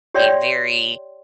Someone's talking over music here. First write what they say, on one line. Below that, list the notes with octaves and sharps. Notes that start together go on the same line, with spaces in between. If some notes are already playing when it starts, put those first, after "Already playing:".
a very
G4 C#5 D5 E5 G5 C6